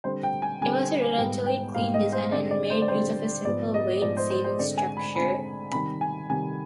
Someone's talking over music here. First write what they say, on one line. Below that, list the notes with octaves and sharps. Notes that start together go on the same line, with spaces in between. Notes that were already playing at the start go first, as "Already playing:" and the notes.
It was a relatively clean design and made use of a simple, weight-saving structure.
D3 G3 C4 C5
G5
G#5
D3 G3 C4 G#5
G#2 G3 B3 G5
G5
G#2 G3 B3 F5
D#5
C5
D3 G3 C4 D5
D5
C5
D5
D3 G3 C4 C5
G#2 F3 B3 D5
D#5
G#2 F3 B3 D5
C5
C5
C5
D3 G#3 C4 D5
G#5
B5
D3 G#3 C4 B5
C3 D#3 G3 B5
G#5
C3 D#3 G3 G#5